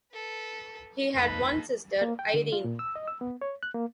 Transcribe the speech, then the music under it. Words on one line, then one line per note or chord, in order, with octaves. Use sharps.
He had one sister, Irene.
A4 B4
F2 A#3 D#4 A4 B4
A#3
G5
D3
F4
A#2
E6
D#5
E6
B3
C#5
F#6
A#3